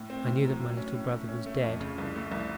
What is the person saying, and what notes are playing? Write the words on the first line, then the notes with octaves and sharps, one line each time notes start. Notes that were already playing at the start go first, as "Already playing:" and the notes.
I knew that my little brother was dead.
Already playing: A2
C4
A2
F#3
A2
C#4
A2
A3
C#4
A3
F2
C#3
C2
A3
C2